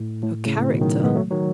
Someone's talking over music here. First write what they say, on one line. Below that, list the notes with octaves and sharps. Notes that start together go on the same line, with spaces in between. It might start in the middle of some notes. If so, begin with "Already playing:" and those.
'Her character!
Already playing: A2
A2
A2 C#3
B2 D#3
D#3 F#3
G#3 B3
F#3 A3
D#3 F#3